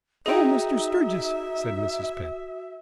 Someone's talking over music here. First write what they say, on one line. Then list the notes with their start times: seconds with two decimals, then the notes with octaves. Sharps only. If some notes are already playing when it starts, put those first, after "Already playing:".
"Oh, Mr. Sturgis," said Mrs. Pett.
0.26 D#4 F#4 G#4 E5 G5 D#6